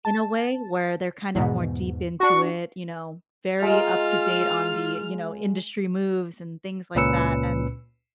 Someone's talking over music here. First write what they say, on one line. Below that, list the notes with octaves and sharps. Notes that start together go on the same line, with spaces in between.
in a way where they're kind of more deep into it, you know, very up to date on the, you know, industry moves and things like that. And
A5
E2 G#2 B2
D4 F#4 C#6
G#3 F4 A#5 F6
C#2 A#2 C#4 B4 E6 C#7